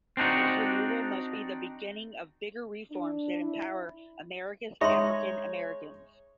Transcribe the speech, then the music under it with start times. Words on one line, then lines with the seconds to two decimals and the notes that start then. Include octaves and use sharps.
Its removal must be the beginning of bigger reforms that empower America’s African Americans.
0.17 C4 D4 D#4 F#4
2.91 D4
3.40 E4
4.81 G#3 D#4 C#5 D#5 E5 B5 C6